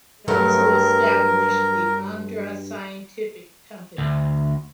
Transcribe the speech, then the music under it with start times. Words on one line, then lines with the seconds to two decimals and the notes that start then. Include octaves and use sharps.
He also established the Andhra Scientific Company.
0.28 G2 F#3 A3 A#4
3.98 D2